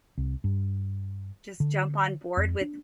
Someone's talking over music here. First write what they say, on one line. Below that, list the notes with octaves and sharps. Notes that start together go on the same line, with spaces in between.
just jump on board with
C2
G2
D3
F2
D4